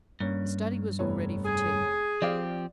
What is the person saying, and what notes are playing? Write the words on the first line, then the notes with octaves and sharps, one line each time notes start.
The study was all ready for tea.
G2 A#3 C#4
F1 B3 C#5
G#4
F3 C4 G4 D5 F5